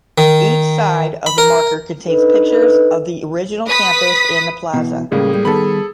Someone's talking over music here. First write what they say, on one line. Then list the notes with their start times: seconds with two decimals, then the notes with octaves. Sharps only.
Each side of the marker contains pictures of the original campus and the plaza.
0.18 D#3
1.26 B5
1.38 A#4
2.08 D4 D#4 A4 B4
3.67 B4 D#6 B6
4.74 B2 E3
5.12 A2 C#3 G3 G#3 A#3 G#4
5.33 G3
5.45 D#3 G3 B3 A4 B5